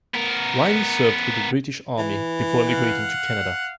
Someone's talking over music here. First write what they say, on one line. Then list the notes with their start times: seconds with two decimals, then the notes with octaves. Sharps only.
Riley served with the British Army before emigrating to Canada.
0.14 B3 A#4
1.99 E3
2.68 F5 F#5